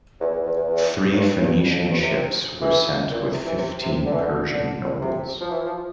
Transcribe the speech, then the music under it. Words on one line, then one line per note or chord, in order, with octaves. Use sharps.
Three Phoenician ships were sent with fifteen Persian nobles.
E2
E2
E2
E2
E2
F2
G2
G2
F2
F2
G2
C3
E3
A#2
A#2
C3
E3
C3
C3
D3
E3
D3
D3
C3
F3
E3
F3